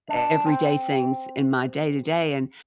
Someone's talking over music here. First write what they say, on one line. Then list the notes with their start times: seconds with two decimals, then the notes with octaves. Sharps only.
everyday things in my day-to-day, and
0.09 D4
0.46 C4